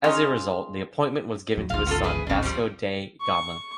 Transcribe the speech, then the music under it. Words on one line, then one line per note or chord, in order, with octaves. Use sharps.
As a result, the appointment was given to his son, Vasco da Gama.
G#3 C#4 D#4 F4
F2 F#3
G#1 D2 G#2 F4 F5
B3 F4 A4
E4 G#4 B4
D1 G#1 C#3 C4 D4
F3 G3
C#6